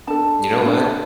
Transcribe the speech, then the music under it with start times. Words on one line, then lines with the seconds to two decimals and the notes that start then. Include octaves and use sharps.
You know what?
0.07 D4 A4 A5
0.65 D4 A4